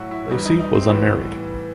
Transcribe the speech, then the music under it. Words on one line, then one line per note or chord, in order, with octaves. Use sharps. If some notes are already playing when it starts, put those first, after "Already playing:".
Lacey was unmarried.
Already playing: A2 F#3 E4 F#4
E4
G2 E3 G3 D#4
D#4
D#4
C4
A2 E3 G3 B3